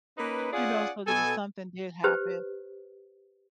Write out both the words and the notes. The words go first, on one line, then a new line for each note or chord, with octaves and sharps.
you know, so that if something did happen
A#3 C#4 D#4 B4
C#4 F4 G#4 D5 F#5 G#5
B2 A4 G#5
G4 B4 C5